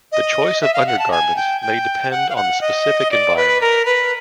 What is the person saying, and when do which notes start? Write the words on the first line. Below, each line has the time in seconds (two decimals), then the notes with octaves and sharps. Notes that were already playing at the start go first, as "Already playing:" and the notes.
The choice of undergarments may depend on the specific environment.
0.12 D#5
0.61 E5
0.74 F5
0.87 F#5
0.99 A5
1.11 G#5
1.36 G5
1.61 G5
2.11 F#5
2.30 F5
2.36 F#5
2.61 D#5
3.11 D5
3.37 B4
3.61 A#4
3.85 B4